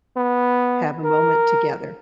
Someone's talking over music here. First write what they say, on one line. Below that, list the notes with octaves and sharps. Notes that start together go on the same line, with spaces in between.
have a moment together.
B3
A#4